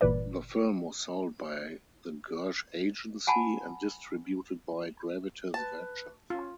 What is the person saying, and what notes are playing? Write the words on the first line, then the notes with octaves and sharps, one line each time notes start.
The film was sold by The Gersh Agency and distributed by Gravitas Ventures.
G1 A#2 E3 B4 D5
F#5 G#5 A5 B5
B4 A5
C#4 F4